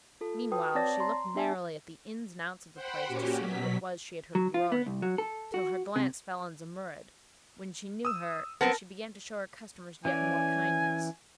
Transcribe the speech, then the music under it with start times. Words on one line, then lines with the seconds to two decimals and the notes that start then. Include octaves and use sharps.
Meanwhile, she looked narrowly at the ins and outs of the place to see who it was she had heard groaning, till her glance fell on Zumurrud, when she knew her and she began to show her customers yet more kindness.
0.21 F4 A4
0.52 F#4 B4 G5 A5 D#6
0.75 C4 C#5 D5 A5 A6 A#6
1.00 A#5 C6
1.34 B3 D4 G4 E5 G#5 A5
2.74 C5 F#5 G5 B5
3.05 A#2 C#4 F#4 G4
3.38 B2 F#3 B6
4.35 F#3
4.54 F4
4.72 B3
4.86 C2
5.02 F#3
5.18 A4
5.54 F#4
5.96 C3
8.05 D#6 E6
8.61 B3 C4 A#4 A5 A#6
10.05 E3 C#4 D5 G#5